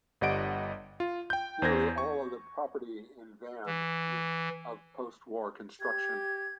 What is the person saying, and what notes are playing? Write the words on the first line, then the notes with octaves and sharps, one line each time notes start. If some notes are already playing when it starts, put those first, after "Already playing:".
Nearly all of the property in Van is of post war construction.
G1 G3 D#5 F#5 D7
F4
G5 G6
E2 C5 G6 G#6 A#6
C#6
E3
G4 G#6